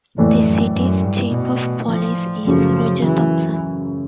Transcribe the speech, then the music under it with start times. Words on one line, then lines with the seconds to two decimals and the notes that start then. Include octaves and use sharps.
The City's chief of police is Roger Thompson.
0.18 F2 A2 E3 A3 D4
0.46 F#2
0.75 F#2
1.04 G2
1.32 B2
1.89 F3
2.46 F#2 C#3 F3 F#3 A3
3.04 E3